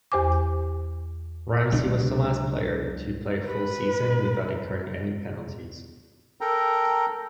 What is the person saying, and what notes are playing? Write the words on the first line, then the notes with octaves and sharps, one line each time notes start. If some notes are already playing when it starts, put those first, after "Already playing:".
Ramsay was the last player to play a full season without incurring any penalties.
E2 G4 C5 G#5 D6
C#2 C3 F#3 D4
B4
A4 A#4 G5 A#5